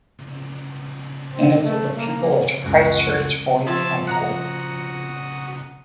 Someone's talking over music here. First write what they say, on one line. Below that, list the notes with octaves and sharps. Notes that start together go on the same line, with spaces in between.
Innes was a pupil of Christchurch Boys' High School.
C4
A3
A#3
C#2 F#2 F#4
F3 C#5 E5 A5
F#4 F#5 A#5 D#6